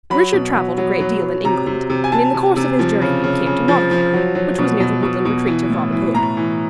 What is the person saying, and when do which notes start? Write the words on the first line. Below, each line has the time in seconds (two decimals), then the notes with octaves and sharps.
Richard traveled a great deal in England, and in the course of his journeying came to Nottingham, which was near the woodland retreat of Robin Hood.
0.10 F#3 B5
0.33 B2
0.55 F#3
0.78 F#3
1.00 F#3
1.23 F#3
1.45 C3 A#5
1.67 C3
1.90 C3
2.04 G#5
2.12 C3 A5
2.34 C3
2.56 C3
2.79 F3
3.01 C#3
3.24 C#3
3.46 C#3
3.68 F3
3.91 F3
4.14 F#3
4.35 F#3
4.58 B2
4.80 B2
5.03 B2
5.25 B2
5.47 E3
5.70 A2
5.92 E3
6.15 A2 A#5
6.37 E3